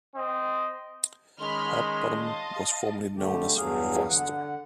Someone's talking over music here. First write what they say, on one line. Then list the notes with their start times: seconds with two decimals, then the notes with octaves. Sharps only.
Hop Bottom was formerly known as Foster.
0.16 C4 D#5
1.40 D#3 G#3 C#4 B5 C6 F6
2.17 D#5 F5 A5
3.17 D3 A3 G4
3.57 E2 G2 F#3 G#4 F5
4.09 D3 F#5